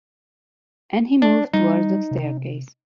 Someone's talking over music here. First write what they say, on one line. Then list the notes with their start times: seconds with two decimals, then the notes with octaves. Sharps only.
And he moved towards the staircase.
1.22 D4
1.53 G3 D#4
2.11 C3